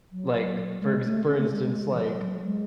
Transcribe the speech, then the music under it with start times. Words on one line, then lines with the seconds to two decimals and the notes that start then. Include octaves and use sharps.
like, for ex for instance, like,
0.12 F#3
0.81 G#3
1.05 A3
1.28 C#4
1.39 A3
1.51 G#3
1.63 G#3
1.74 G#3
1.93 E3
1.98 F#3
2.21 F#3
2.44 G#3